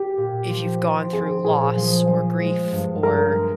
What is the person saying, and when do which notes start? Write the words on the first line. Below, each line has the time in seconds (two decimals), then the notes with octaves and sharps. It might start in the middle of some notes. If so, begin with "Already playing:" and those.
if you've gone through loss or grief or
Already playing: G4
0.17 A#2
0.49 F3
0.81 C4
1.13 C4 G#4
1.45 A#2 G#4
1.76 F3
2.08 F3
2.40 G#3
2.72 G2
3.03 G2 A#4
3.35 G#3